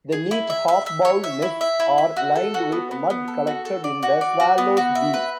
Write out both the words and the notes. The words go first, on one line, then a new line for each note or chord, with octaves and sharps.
The neat half-bowl nests are lined with mud collected in the swallows' beaks.
G#4
E4
E5
E5
E5
C#5
E5
E4
E5
E4
E5
F#4
A4
F#4
B3
B3
B3
A4
F#4
A4
D5
F#4
D5
F#4
B3
F#4
E5
B4